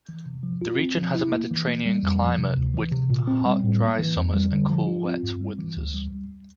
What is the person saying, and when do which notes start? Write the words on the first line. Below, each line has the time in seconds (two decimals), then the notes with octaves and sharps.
The region has a Mediterranean climate with hot dry summers and cool wet winters.
0.09 E3
0.26 C3
0.43 F3
0.61 F4
0.79 C4
0.97 F3
1.15 E4
1.32 A#3
1.51 E3
1.68 A#3
1.86 G3
2.03 F2
2.21 F3
2.38 C3
2.57 D2
2.74 E3
2.92 C3
3.10 A#2
3.27 C4
3.46 G3
3.64 A2
3.81 A#3
3.99 E3
4.17 F2
4.34 G3
4.52 D3
4.70 F3
4.87 F4
5.05 C4
5.23 G2
5.41 G3
5.59 E3
5.77 D2
5.94 G3